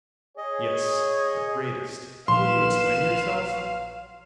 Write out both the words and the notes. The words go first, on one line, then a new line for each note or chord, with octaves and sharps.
Yes, the greatest; but will you explain yourself?
G#4 C#5 D#5
A#1 B4 F5 C6 E7